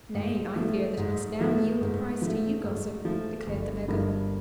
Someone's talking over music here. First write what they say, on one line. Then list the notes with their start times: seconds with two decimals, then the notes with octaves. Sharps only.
"Nay, I fear that I must now yield the prize to you, gossip," declared the beggar.
0.14 G#2
0.56 F3 A3
0.97 G#2
1.39 F3 A3
1.81 G#2
2.22 F3 A3
2.64 G#2
3.05 F3 A3
3.47 G1
3.88 G2 D3 F3 A#3